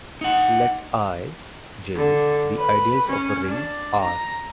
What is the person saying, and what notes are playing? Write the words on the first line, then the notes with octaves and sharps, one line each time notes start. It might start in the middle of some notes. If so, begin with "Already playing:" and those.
Let "I", "J" be ideals of a ring "R".
D#4 F#5
D3
B4
C#4
D4
A#5